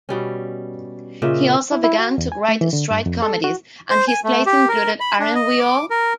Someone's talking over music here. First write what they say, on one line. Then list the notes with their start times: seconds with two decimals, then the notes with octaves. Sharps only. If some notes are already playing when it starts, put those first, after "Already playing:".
He also began to write straight comedies, and his plays included Aren't We All?
0.09 B2 G3 C#4
1.22 A#2 C#3 D#5 E5
1.72 E4
1.84 E4
1.99 F#4
2.18 E2
2.32 G#5
2.49 A3
2.61 E3
2.73 D3
2.91 G2
3.06 F2
3.22 A4
3.44 F#4
3.90 C5
4.08 G#5
4.24 A3
4.46 G4
4.68 A#4
5.00 B5
5.19 D4
5.35 D#5
5.59 D6
5.90 A#4